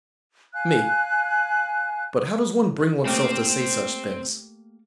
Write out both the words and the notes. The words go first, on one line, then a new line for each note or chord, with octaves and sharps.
ME: But how does one bring oneself to say such things?
F5 G#5 F#6
A3 A#3 C4 G4